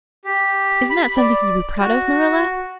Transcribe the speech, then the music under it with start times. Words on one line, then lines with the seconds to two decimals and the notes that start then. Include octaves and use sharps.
Isn't that something to be proud of, Marilla?
0.25 G4
0.90 B5
1.17 D5
1.80 F#4